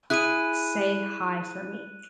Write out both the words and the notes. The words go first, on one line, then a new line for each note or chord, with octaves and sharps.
Say hi for me.
E4 G#4 F#6 D#7